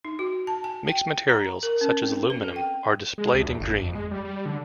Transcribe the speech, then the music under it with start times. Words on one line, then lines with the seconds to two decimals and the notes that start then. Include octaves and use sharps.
Mixed materials such as aluminum are displayed in green.
0.05 D#4
0.19 F#4
0.47 A5
0.64 G#5
0.89 G5
1.30 A#5
1.63 A#4
1.81 C#4
2.03 C4
2.30 B4
2.44 A4
2.56 G5
3.18 G#3
3.34 D2
3.46 E2
3.61 G1
3.82 F2
3.95 G#3
4.11 G3
4.25 G3
4.46 D3